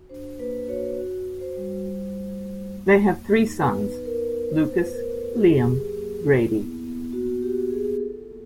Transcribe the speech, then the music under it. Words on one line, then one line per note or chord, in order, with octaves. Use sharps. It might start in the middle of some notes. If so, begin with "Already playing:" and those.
They have three sons: Lucas, Liam, Grady.
Already playing: F#4
D4 C5
A#3 B4
F#4 C#5
F#4
F#4
C5
G3
F4
A3
A3
A#3
A#3
D#4
B3 B4
B3
A#4
B3
A3 C5
B4
F4
A#4
F4
A4
G4
A#3 G#4
F#3
A#3
E4
B3
B3
A#3 F#4
A#3 G4
F#4
G4
F#4 G#4
F4 A4
A#3